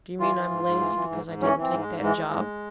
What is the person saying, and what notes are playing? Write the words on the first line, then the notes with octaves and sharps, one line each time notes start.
"Do you mean I'm lazy because I didn't take that job?"
E3 F4
E3
G#2
G#2
E3
E3
G#2
G#2
E3 C#4
E3 C4
G#2
G#3
G#2
E3 G#3
E3
G#2